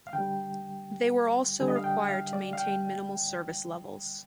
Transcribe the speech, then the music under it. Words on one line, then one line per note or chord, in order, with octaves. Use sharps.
They were also required to maintain minimal service levels.
F5
D3 G5
G3
D3 G3 G#5
D#5
F5
G5
F5
D5
F5
G5